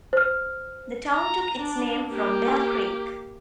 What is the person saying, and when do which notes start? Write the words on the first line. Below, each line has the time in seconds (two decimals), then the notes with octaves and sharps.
The town took its name from Bear Creek.
0.13 C5 F6
1.15 A#5
1.60 D4
2.08 A#3 G4